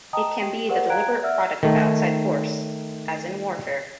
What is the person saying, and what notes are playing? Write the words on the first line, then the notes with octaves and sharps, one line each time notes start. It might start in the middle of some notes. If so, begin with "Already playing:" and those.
It can be the deliberate product of outside force, as in warfare.
D#5 G5 A5 A#5 D#6
G4 G5
G4 G#4 A#4 C5 D5 F#5
F5 G5 A#5 F#6 G#6 D7
D5 E5 F#5 E6 F6
D#3 A3